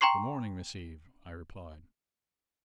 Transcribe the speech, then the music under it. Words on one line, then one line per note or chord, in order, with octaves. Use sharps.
"Good morning, Miss Eve!" I replied.
G5 A#5 C6 C#6 C7